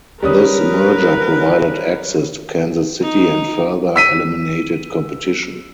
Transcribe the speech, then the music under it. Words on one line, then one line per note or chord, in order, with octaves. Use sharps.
This merger provided access to Kansas City and further eliminated competition.
G3 C#4 A#4 B4 D#6
D#4
E6 B6 D#7